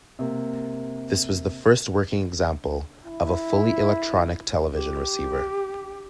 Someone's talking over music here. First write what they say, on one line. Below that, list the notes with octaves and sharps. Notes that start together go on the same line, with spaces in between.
This was the first working example of a fully electronic television receiver.
C3 A#3
E4
G4